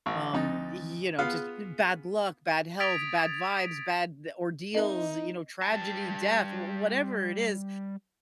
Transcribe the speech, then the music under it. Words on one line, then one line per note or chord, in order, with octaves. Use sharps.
um, y you know, just e bad luck, bad health, bad vibes, bad ordeals, you know, tragedy, death, w whatever it is.
A1
D2 F3 C4 D#4 A6
B3 F4 G#4 F5
D#6 G#6 A6 B6 D7 F7
C4 D#4 A#4 D#5 E5
G3 A5